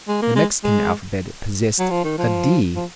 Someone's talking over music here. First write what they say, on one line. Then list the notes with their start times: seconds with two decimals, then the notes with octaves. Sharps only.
The Mexican alphabet possessed a d.
0.08 G#3
0.22 A#3
0.36 G#3
0.64 G#3
1.79 F#3
1.90 F3
2.04 D#3
2.18 F3
2.75 F3